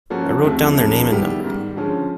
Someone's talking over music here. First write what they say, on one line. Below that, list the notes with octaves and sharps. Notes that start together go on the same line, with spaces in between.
I wrote down their name and number.
F3 A#3 C#4 F#4 A4
D#2 C#3 F3 A3 C4
D#2 C#3 F3 A#3
D#3 G3 B3 E4 G4
G#2 D#3 G3
D3 F3 G#3 C#4